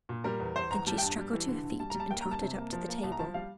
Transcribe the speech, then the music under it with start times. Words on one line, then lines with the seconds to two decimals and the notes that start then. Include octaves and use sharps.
Then she struggled to her feet and tottered up to the table.
0.09 A#2
0.24 G3 A#4
0.40 E2
0.56 E2 C5
0.71 E2 A#5
0.87 G3 A5
0.98 G5
1.02 G2 A5
1.18 G3
1.33 E3
1.48 D3
1.64 D3
1.80 G3 A5
1.90 G3 A#5
2.00 A5
2.11 A#3 G5
2.21 G3 A#5
2.31 A5
2.42 C3
2.56 A#3
2.73 F3
2.89 A#3
3.03 C2 A5
3.12 A#5
3.19 F3 A5
3.34 G3 F5